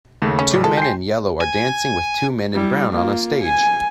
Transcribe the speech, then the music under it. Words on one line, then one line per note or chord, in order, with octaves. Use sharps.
Two men in yellow are dancing with two men in brown on a stage.
D#2 C#3 A3
C#4
A1 G3 D6
G#3 F4 A4
G5 G#5 C6 G6 C7
G#5
G3 E4
A#3 F4
G#5